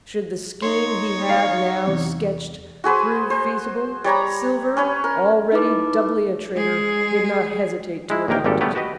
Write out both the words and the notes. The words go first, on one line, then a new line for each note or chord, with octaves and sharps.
Should the scheme he had now sketched prove feasible, Silver, already doubly a traitor, would not hesitate to adopt it.
D#4 C#5 C6
F5
E2 C3
F#4 G#4 B4 C5
C5
G3 C#5 A#5 B5
C#4 B4 C#5
A#4
D#4 E4 B4 D6
G#3 G#4
G#3 E4
A#1 D#2 A#3 A#4 G5
G#1 A#2 G3 G4 A4
G3 A3 B3 G4 B4 C#5
F#4 G4 B4 D#5